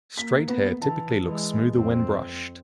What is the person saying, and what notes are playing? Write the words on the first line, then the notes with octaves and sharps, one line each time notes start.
Straight hair typically looks smoother when brushed.
A#3 B6
B3
E3 A5
E3 G#3
F2 C4